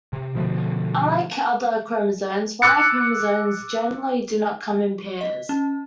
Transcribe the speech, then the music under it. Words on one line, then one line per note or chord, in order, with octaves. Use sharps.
Unlike other chromosomes, Y chromosomes generally do not come in pairs.
C3
B2 D3 F3 A3
D6 E6 F#6 A6 C#7
D#5
C#4